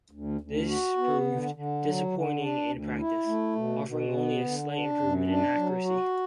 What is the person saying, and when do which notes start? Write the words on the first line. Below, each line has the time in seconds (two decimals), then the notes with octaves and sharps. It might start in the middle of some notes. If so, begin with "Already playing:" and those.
This proved disappointing in practice, offering only a slight improvement in accuracy.
0.11 D2
0.41 D2
0.69 F#4
0.97 B3
1.26 D3
1.55 D3
1.84 F#3
2.12 D3
2.40 D4
2.69 D2
2.98 E4
3.27 A3
3.55 B2
3.84 B2
4.13 B3
4.41 D3
4.71 D4
4.99 F#2
5.27 D4
5.56 F#3
5.85 F#4